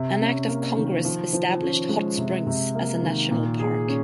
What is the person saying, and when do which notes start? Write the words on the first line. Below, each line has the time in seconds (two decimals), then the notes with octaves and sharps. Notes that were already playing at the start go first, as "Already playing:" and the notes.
An act of Congress established Hot Springs as a national park.
Already playing: C3
0.21 C#4
0.48 A#3
0.77 D#3
1.05 F3
1.33 F3
1.61 C#4
1.89 G#3
2.18 C3
2.47 C3
2.75 A#3
3.03 D#3
3.31 A#2
3.59 G#4
3.88 C#4